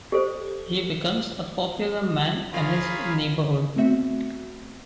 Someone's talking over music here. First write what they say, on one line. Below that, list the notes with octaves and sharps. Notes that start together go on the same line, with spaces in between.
He becomes a popular man in his neighborhood.
G4 A4 C5
F3 F4 G#4 A#4 C#5 F5 B5
A3 B3 C4 F#4 E5